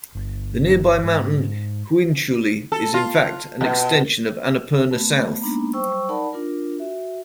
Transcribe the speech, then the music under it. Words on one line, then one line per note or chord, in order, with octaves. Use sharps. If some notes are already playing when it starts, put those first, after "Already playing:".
The nearby mountain Hiunchuli is in fact an extension of Annapurna South.
G1
G#2
A4
F4
F2 B2
A3 B3
G#3 A#3 B3 D4 D#4
F#3 G3 C5 G5 C#6 E6
D#4 A#4 D5 F#5 A5 B5
D4 F4 A#4
F#4 E5